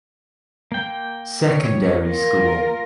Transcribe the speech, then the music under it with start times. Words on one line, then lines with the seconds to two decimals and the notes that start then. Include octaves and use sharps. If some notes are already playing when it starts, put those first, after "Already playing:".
Secondary School.
0.72 A#3 G5
1.46 C#5
2.05 F4 A#4